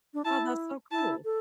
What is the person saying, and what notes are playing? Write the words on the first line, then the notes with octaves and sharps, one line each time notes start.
Oh, that's so cool.
D4
E4 A5
E4 A5
A4